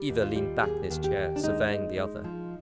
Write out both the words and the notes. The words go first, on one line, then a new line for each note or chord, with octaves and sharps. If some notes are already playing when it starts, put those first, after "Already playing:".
Either leaned back in his chair, surveying the other.
Already playing: G3
D#2
F4
G3
D#2 G#4
D#2
G4
D#2
D4
G#3 D#4
G#3
G#3
F3